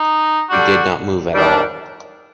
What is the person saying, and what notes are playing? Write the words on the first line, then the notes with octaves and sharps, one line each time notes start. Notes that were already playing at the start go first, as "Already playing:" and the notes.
He did not move at all.
Already playing: D#4
D3 G3 D4 F#4
D#3 G3 D4